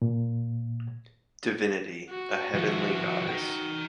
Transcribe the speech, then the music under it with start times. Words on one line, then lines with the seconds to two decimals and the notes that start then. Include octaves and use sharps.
Divinity- a heavenly goddess.
0.02 A#2
2.10 F#4
2.54 F3 E4
3.28 D#4 G5